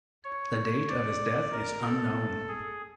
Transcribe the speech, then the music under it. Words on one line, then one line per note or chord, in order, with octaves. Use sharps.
The date of his death is unknown.
C#5
D5
A#4
A4
G#4